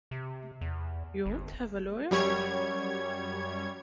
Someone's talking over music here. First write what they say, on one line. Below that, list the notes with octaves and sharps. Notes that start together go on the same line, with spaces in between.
You won't have a lawyer?
C3
E2
G1
F#2 G3 C#5 G#6